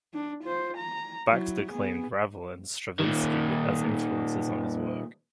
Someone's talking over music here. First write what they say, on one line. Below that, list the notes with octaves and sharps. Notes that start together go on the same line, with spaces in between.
Baxter claimed Ravel and Stravinsky as influences on his work.
D4
F4 C5
A#5
F#3 E4
B3 G#4
A#2 D#3